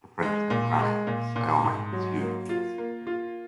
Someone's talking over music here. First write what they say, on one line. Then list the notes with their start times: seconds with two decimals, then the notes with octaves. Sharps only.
The French then rallied and a stalemate ensued for the rest of the day.
0.22 G#3
0.50 A#2
0.79 G#3
1.07 A#2
1.36 A#2
1.64 G#2
1.92 F#3
2.21 A#3
2.49 F4
2.78 A#3
3.07 F4